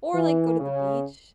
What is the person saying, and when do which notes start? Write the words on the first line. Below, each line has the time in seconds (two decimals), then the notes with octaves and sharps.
or, like, go to the beach.
0.13 E3
0.60 C#3